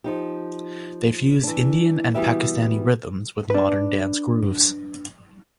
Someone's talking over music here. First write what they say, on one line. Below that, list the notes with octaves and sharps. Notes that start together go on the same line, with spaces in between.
They fused Indian and Pakistani rhythms with modern dance grooves.
F3 D#4 G4
E3 D4
E3 G3 B3 F#4 G4 E5
D4 B4